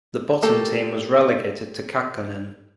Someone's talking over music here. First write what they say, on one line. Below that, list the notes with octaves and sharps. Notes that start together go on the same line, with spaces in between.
The bottom team was relegated to Kakkonen.
A3 A#3 G4 A4